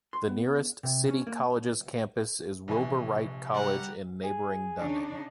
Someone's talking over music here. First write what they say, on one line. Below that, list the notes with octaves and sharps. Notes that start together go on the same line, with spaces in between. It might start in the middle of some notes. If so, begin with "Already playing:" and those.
The nearest City Colleges campus is Wilbur Wright College in neighboring Dunning.
C6
B3
C3
C#4
A#3
A#1 C3 E3 G#5
G3 F#5 A#5
G#4
C#3 D4 D#4